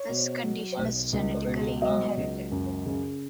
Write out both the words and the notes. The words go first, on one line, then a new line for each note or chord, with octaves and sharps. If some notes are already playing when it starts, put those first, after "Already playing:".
This condition is genetically inherited.
Already playing: C#5
B2
F#3
B1
C#2
B2
F#3 D#5
C#2
F#2
C#3